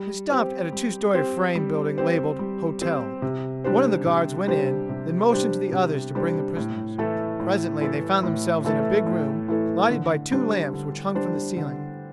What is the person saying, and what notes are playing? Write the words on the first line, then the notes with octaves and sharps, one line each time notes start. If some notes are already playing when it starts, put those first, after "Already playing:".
They stopped at a two-story frame building labeled "Hotel." One of the guards went in, then motioned to the others to bring the prisoners. Presently they found themselves in a big room, lighted by two lamps which hung from the ceiling.
Already playing: G3
C4 G4 C5
G3
C4 G4 C5
G3
C4 G4 C5
G3
C4 G4 C5
C3
G3 D4 G4 C5
C3
G3 D4 G4 C5
C3
G3 D4 G4 C5
C3
G3 D4 G4 C5
A2
E3 A3 E4 A4
A2
E3 A3 E4 A4
A2
E3 A3 E4 A4
A2
E3 A3 E4 A4
D3
G3 D4 C5
D3
G3 D4 C5
D3